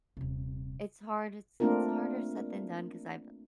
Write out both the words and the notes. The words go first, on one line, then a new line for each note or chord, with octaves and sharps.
it's hard it's it's harder said than done 'cause I've
D#1 C3
A3 A#3 C4 D4 F4 A#4